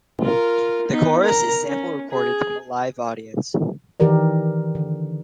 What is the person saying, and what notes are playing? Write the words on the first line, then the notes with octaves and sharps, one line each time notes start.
The chorus is sample recorded from a live audience.
F4 A#4
B3 D#4
A#4 A#5
C#4
G#4
D#3 E3 G4 A#4 D5
D3